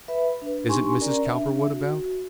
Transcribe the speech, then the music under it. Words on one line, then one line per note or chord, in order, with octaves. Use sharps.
"Isn't Mrs. Cowperwood about?"
B4 E5 B5
D4 B4
D4 D#4 G4 G#5 C6 C#6
C#4 A#4 D5 A#5
D4 E5
F#4